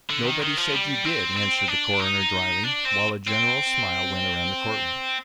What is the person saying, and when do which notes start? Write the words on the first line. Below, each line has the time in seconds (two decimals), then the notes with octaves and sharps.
"Nobody said you did," answered the coroner dryly, while a general smile went around the courtroom.
0.10 D3
0.26 D#3
0.42 D#3
0.57 F3
0.73 G3
1.05 C4
1.37 C4
1.68 D4
2.00 D#4
2.64 D4
2.85 C4
3.27 C4